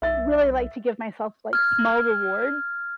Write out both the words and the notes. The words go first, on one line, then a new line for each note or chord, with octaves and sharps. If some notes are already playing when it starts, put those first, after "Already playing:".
really like to give myself, like, small rewards
B1 E5 A6
F6 G#6